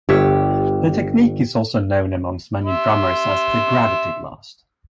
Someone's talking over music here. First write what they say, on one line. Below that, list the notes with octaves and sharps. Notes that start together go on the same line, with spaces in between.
The technique is also known amongst many drummers as the gravity blast.
G1 G4 C#5 E5
E5 C6